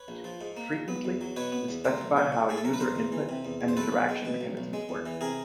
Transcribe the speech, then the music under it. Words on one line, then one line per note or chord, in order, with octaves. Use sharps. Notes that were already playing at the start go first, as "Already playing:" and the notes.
Frequently they specify how user input and interaction mechanisms work.
Already playing: B4 C#5
A#1
F3
G#2
A#3
A#1
B3
E2
F#3
B2 B4 C#5
B3
E2
A3 A#4 C5
B1
F#3
A2
A3 G#4
A4
B1 A#4
B4
E2 A#4 C5
E2
E3
C3
E2
E2
C5
B1 A4 B4
B1
G#3
B2
B1
B1
G#3
E2
E3
C3 G#4 A#4